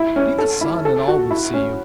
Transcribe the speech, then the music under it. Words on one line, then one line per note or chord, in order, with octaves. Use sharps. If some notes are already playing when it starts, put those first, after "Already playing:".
Be the sun and all will see you.
Already playing: E4
C#4
A4
E4
A4
F#4
E4
C#4